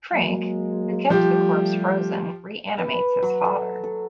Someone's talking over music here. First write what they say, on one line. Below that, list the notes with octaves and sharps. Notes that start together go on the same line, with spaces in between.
Frink, who kept the corpse frozen, reanimates his father.
F#3 G#3 A#3
F3 G3 A3 G4
B4
F#3
A4
A4